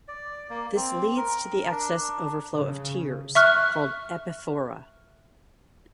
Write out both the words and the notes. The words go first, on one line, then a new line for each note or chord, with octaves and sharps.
This leads to the excess overflow of tears called "epiphora".
D5
A#3
C4
A#4
D4
C#3
E5 C#6 F6 F#6